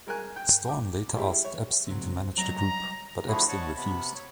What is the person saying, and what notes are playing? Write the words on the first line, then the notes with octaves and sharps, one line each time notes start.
Storm later asked Epstein to manage the group, but Epstein refused.
G#3 A#4 G#5 F#6
G5
D6
G3 G#3 E4 G4
C#5
C#2 F#3 C4
F#3 D#5 A#5
G3 A#5
D3 F3 A3 E4 F#4 G#4
C#5 D#5 F#5 A5 C#6
C3 B3 B5
C#5